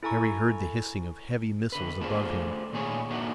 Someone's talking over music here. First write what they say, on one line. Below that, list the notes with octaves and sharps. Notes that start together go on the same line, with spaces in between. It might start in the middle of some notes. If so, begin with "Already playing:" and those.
Harry heard the hissing of heavy missiles above him.
E4 A4 G#5 A#5 C#6
D3 B4
A3 D4 F4 G#4 A4 C5
A#2 D#3 D4 G#4 A#4 C#5
A3 A#3 D4 D#4 F#4